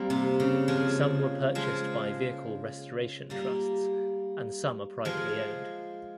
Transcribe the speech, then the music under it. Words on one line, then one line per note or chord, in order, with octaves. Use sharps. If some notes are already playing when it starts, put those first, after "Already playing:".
Some were purchased by vehicle restoration trusts and some are privately owned.
Already playing: G3 A#3 C4
C3
C#3
F3 G#3
F3 G#3
G3 A#3
F3 G#3